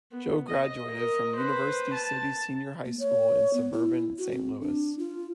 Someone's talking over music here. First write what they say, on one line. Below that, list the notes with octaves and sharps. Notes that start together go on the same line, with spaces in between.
Joe graduated from University City Senior High School in suburban Saint Louis.
B3
D#5
A#4 D#5
B4 C5
A5
A#3
C#5
B3
E4
F#4
C4
D4
F4